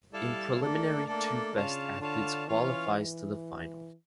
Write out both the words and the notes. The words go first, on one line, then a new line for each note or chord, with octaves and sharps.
In preliminary two best athletes qualifies to the final.
G3 E4 A4 D5 F5 A5
A3 A#3 D4 A4 D5
A3 A#3 D4 A4 D5
C#3 D4 F4 C#5 F5 A5
D3 D4 F4 C#5 F5 A5
E3 C#4 F4 C#5 F5